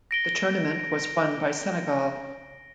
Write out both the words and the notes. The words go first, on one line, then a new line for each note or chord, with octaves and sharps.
The tournament was won by Senegal.
A#6 D7 G7